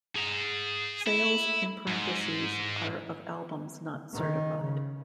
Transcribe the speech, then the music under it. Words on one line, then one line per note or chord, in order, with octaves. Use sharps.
Sales in parentheses are of albums not certified.
G#4 A#5
E4
G#2
D#3
C#3